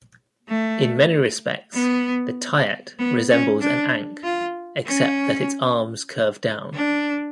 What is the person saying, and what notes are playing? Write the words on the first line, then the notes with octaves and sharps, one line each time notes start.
In many respects the tyet resembles an ankh, except that its arms curve down.
A3
B3
B3
C#4
D4
F4
C#4
D4